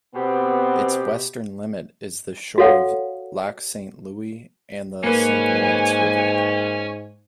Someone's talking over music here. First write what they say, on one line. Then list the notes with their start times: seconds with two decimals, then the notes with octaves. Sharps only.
Its western limit is the shore of Lac Saint-Louis and the Saint Lawrence River.
0.15 B2 B3 C4 G4
2.58 F#4 A4 C#5 F5 F#5
5.04 G#2 A#3 C#4 B4 G#5